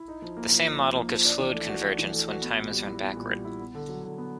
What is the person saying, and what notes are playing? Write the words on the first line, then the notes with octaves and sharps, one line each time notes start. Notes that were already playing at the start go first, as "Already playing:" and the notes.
The same model gives fluid convergence when time is run backward.
Already playing: E4
D#4
F3
A#3
F3
D#4
F3
A#3
F3
D4
E3
A3
F#4
D4
E3
A3
F#4
B3
A#2
G3
E4
B3
A#2
G3
E4
B3
D3
F#3
D3
B3